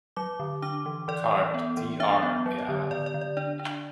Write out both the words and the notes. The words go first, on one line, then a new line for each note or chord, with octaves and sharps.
Karp D. R. et al.
F#3 D6
D3
D4 D6
E3
E3 D5
E3
B3
E3
D4 E5
B3
F#3
D3
D3 D5
D5
D3
D5
D4 D5
D4